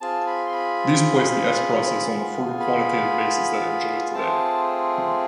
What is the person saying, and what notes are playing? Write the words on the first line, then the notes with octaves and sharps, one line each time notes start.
These placed the s-process on the firm quantitative basis that it enjoys today.
C4 F4 G#4 A5
B5
C6
B5
B3 F4 G#4
B5
A3 C4 F4 G#4 A5